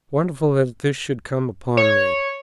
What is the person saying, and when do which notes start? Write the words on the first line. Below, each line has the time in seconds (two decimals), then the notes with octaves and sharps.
Wonderful that this should come upon me!
1.77 C#5